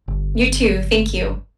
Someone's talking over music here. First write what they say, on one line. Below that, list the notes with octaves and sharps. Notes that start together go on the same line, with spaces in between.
You too. Thank you.
G1